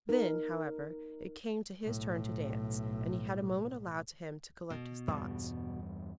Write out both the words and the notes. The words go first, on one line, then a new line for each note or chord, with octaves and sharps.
Then, however, it came to his turn to dance, and he had a moment allowed to him to collect his thoughts.
D#4 A#4
B1 A2
B2
E2 G2 G3